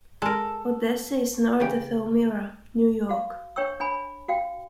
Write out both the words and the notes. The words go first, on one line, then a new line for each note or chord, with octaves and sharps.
Odessa is north of Elmira, New York.
G#3 A4 A#4
C#3 E3 G4
F#4 F5
D4 C#5 G5 C#6 E6
D4 G#5 B5
F#4 F5 G5